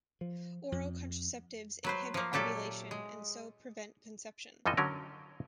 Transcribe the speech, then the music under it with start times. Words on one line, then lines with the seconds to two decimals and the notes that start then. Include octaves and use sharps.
Oral contraceptives inhibit ovulation and so prevent conception.
0.21 F3
0.72 F2
1.84 F#3 B4 C5
2.14 F3 A#3
2.33 A#2 F#3 G4 A4 E5
2.91 G#3
4.66 F2 E3 F3 A4 D#5
4.77 D3 F#3 C#4 A#4